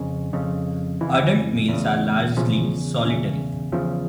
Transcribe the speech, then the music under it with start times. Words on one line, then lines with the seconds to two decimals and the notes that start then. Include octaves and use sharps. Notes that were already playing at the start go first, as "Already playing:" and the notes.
Adult males are largely solitary.
Already playing: F2 C#3
0.33 F2 C#3
1.01 F2 C#3 E3
1.69 E2 C#3
2.37 E2 C#3 F3
3.05 E2 C#3
3.72 E2 C#3 F3